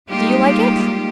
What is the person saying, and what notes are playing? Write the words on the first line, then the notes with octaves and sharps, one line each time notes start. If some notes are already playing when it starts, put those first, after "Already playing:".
Do you like it?'
G3 G#3 A#3 D#4 F4 G4